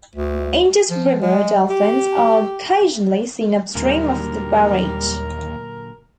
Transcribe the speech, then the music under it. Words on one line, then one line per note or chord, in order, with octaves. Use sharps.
Indus River dolphins are occasionally seen upstream of the barrage.
D2
F3
G#3
G4
D#2 A#2 D3 F#3 G3 A#4